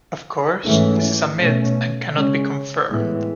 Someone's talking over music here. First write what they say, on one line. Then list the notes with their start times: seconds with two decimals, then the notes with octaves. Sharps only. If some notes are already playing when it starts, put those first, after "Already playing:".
Of course, this is a myth and cannot be confirmed.
0.64 G#2 E3 A3 C#4
1.39 B2 A3 C#4
2.14 C#3 G#3 C#4
2.89 A2 E3 G#3 B3